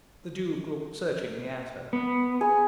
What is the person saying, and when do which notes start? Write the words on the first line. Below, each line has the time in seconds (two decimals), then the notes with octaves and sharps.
The Duke looked searchingly at her.
1.93 B3
2.41 G#4